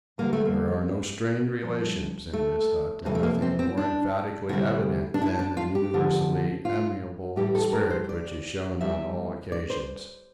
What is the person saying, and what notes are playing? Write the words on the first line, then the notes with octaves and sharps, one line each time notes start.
There are no strained relations in this hut, and nothing more emphatically evident than the universally amicable spirit which is shown on all occasions.
E2 D3 G3 A#3
A3
A#3
G2 F3
A3
F2 C3 E3 G3 A#3
A3
A#3
C4
C4
D4
D2 C3 G3 E4
D4
E4
D4
F4
G4
E2 D3 F3
F4
A2 E3 G3 G4
A4
A#4
C5
D5
E2 E3 G3 E5
D5
C5